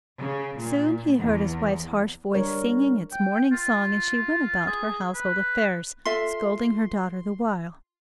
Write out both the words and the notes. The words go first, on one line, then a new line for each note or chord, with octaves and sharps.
Soon he heard his wife's harsh voice singing its morning song as she went about her household affairs, scolding her daughter the while.
C#3
A#2
E2
G3 D4 A#4 C#5
G5
F4
G#4
B4
F4 A4 E5 C6